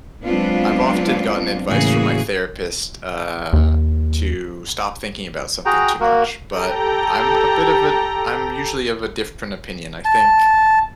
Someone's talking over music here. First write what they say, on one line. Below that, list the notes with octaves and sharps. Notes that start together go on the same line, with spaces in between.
I've often gotten advice from my therapist, uh, to stop thinking about something too much, but I'm a bit of a I'm usually of a different opinion. I think
F#3 G#3 B3 C4 D4 F4
A2 C#3 E3 A#3 F#4 G#4
D#2
F#4 G#4 G5 A#5
A#3 F#4 A#4
G4 A4 G5 A#5
A5